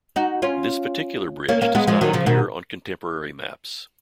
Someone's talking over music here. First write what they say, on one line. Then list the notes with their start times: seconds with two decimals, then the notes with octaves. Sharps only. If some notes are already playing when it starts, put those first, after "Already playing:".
This particular bridge does not appear on contemporary maps.
0.16 D#4 F#4
0.42 C#4 F4
1.48 A#3 C#4
1.61 A#3 C#4
1.75 G#3 B3
1.87 F3 G#3
2.01 D#3 F#3
2.13 C#3 F3
2.26 B2 D#3